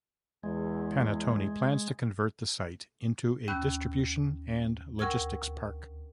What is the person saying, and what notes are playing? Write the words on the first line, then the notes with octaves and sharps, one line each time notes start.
Panattoni plans to convert the site into a distribution and logistics park.
E2 G#3
D#2 C#4 B5 E6 F#6 G6
D2 A#4 G5 C#6 E6 G#6